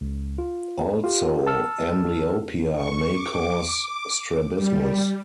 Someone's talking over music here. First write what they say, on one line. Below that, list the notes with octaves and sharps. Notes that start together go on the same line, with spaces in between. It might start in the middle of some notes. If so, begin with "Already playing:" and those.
Also, amblyopia may cause strabismus.
C#2
F4
F4 G4
A5 E6 F6
C#6
D6
G3